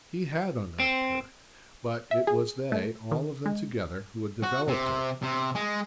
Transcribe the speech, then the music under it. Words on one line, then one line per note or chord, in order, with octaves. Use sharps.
He HAD unearthed her, but it was they, all of them together, who had developed her.
C4
E5
G#4
A3
D#3
G#3
F#4
C3
C3
G#3